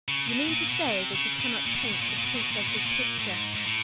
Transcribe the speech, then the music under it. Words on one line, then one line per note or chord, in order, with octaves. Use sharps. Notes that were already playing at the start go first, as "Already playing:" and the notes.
"You mean to say that you cannot paint the Princess's picture?"
C#3
B2
A#2
B2
C3
C#3
C#3
A#2
B2
A#2
B2
A#2
B2
A#2
B2
A#2
B2
A#2
B2
A#2
B2
A#2
A2
G#2
G#2
A2